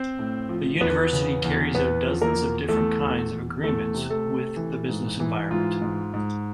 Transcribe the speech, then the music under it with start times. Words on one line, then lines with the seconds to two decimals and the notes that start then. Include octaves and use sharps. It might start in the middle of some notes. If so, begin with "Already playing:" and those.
The university carries out dozens of different kinds of agreements with the business environment.
Already playing: C4 C5
0.19 A2
0.49 F3
0.80 E2 B3 B4
1.13 C#3
1.44 E2
1.74 E2 B3 B4
2.06 F3
2.22 A#3 A#4
2.37 E2
2.68 E2 A3 A4
3.00 E2
3.32 E2
3.63 E2 A3 A4
3.94 C3
4.10 A3 A4
4.25 C3
4.57 E3
4.88 G#2
5.20 E3
5.51 G#2 F4
5.82 G#2
6.14 G#2